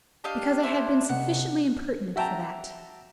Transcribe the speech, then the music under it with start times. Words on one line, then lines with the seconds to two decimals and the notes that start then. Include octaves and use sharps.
"Because I have been sufficiently impertinent for that."
0.24 D4 G4 D#5 F5
0.63 E4 C5
1.09 C3 D#3 F#5
2.16 F#4 E5 G5 A5 A#5